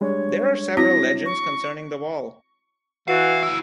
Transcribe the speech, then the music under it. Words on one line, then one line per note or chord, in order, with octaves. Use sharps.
There are several legends concerning the wall.
G3 G#3 D4 C#5
C4 E4 F#4 A#6
C#6
E3 F#4 F5
D2 E4